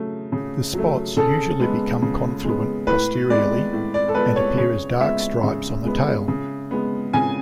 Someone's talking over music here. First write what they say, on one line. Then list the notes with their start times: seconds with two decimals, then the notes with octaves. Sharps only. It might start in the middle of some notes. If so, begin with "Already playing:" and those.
The spots usually become confluent posteriorly, and appear as dark stripes on the tail.
Already playing: C#3 F#3 A3
0.32 C#3
0.74 F#3 A3
1.17 C#3 A4
1.60 G#3 B3
2.02 C#3
2.44 G#3 B3
2.87 A2 B4
3.30 G#3 B3 D5
3.73 A2
3.94 D5
4.09 A4
4.15 G#3 B3 B4
4.36 C#5
4.58 C#3 C#5
5.01 G#3 B3 E5
5.43 C#3
5.85 G#3 B3
6.28 C#3
6.71 G#3 B3
7.13 C#3 G#5